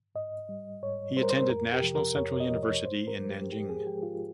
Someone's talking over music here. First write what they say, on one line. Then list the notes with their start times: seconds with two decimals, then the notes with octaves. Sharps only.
He attended National Central University in Nanjing.
0.15 G#2 D#5
0.49 G3
0.82 G#2 C#5
1.17 G3 C5
1.23 A#4
1.30 C5
1.49 F2 A#4
1.73 G4
1.83 C3 F3
1.95 A#4
2.17 F2 C#5
2.40 D#5
2.51 C3 F3
2.63 C#5
2.85 G#2 C5
3.07 A#4
3.19 F3 G#3
3.31 G4
3.53 G#2 G4
3.69 G#4
3.87 F3 G#3 G4
4.03 F4